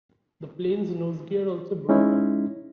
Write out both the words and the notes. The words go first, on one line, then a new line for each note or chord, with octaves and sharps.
The plane's nose gear also broke off.
G#3 C#4 D#4 E4